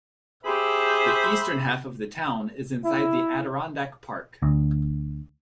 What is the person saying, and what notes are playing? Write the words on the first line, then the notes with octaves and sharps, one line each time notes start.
The eastern half of the town is inside the Adirondack Park.
G4 G#4 C5 E5 B5
E4
D2